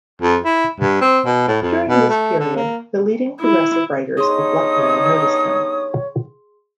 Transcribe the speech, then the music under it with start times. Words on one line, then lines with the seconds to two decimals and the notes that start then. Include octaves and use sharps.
During this period, the leading progressive writers of Lucknow noticed him.
0.22 F2
0.45 E4
0.80 G2
1.01 C4
1.25 B2
1.48 A2
1.62 F2
1.88 B2
2.09 A3
2.39 D3
2.56 A#3
3.41 E4
4.17 G2 B3 D#4 G#4 C#5 C6 D#6